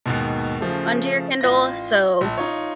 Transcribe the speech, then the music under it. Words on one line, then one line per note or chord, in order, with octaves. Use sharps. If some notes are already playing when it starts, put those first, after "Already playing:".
under your Kindle, so,
D#2 G#2 B2
C#3 F3 A3
A1 F4 A#6
A#1 A5
D#4 F4 C#5